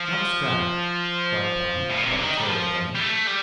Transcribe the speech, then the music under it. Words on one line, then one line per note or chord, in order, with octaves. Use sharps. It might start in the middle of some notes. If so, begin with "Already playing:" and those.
"Not a scrap," cried Blount, quite carried away.
Already playing: F3
A2
A#2
C3
D3
D#3
G3
F3
G3
A3
G3